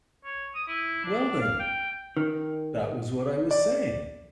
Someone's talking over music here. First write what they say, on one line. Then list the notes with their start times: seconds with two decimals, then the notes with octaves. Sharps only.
Well, then, that was what I was saying.
0.24 C#5
0.55 D#6
0.68 E4
1.05 D4
1.40 F5
1.60 G5
2.17 D#3
3.51 D5